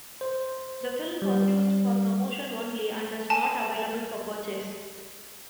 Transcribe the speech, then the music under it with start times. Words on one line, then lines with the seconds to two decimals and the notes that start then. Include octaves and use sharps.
The film was used for promotion only and is not available for purchase.
0.21 C5
1.22 G3
3.30 G#5 A5